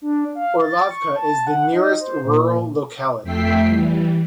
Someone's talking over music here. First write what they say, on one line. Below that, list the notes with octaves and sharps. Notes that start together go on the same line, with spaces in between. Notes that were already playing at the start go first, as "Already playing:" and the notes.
Orlovka is the nearest rural locality.
D4
F5
A6
C#6
A5
F#5
D#4
C5
A#2
F2 A3 E5 G5 B6 C7
E3 G3